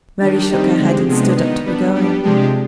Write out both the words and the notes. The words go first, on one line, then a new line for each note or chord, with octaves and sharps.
Mary shook her head, and stood up to be going.
D#3 G3 D4
D#3 G3 C4 D#4 G4
D3 G#3 C4 G4
C3 F3 G#3 B3 D4
D#3 B3 D#4
G3 B3 D4
G3 B3 D4 G4
C3 F3 G#3 D4 G4